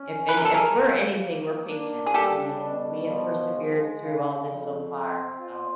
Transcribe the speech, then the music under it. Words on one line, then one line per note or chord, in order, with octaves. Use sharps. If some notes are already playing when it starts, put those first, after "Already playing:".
If any if we're anything, we're patient, and we have persevered through all this so far, so
Already playing: C#4
E3 B4
A#4
A4
G#4 A#4
C#3
A#3
D4
G#4
G3 G4 A4
B2
F3
G#3
C#3
F2
C4
F4